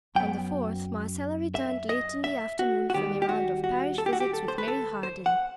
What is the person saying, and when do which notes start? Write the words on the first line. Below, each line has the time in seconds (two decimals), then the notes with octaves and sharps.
On the fourth Marcella returned late in the afternoon from a round of parish visits with Mary Harden.
0.15 F#2 F#3 B3 G5
1.55 E5
1.89 D#5
2.24 E5
2.59 F#4
2.90 F#4
2.94 D#2 D#3 G3 G4
3.22 G4
3.29 F#4
3.64 F#4
3.98 A4
4.06 G4
4.13 F#4
4.20 G4
4.33 A4
4.48 C5
4.58 B4
4.68 A4
5.03 C5
5.26 F#5